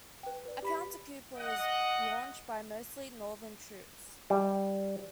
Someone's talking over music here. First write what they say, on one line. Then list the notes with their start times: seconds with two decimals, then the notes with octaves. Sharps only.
A counter-coup was launched by mostly northern troops.
0.23 B4 G5
0.45 B4 D5
0.62 G4 B5 B6
1.38 D#5 F#5
4.30 G3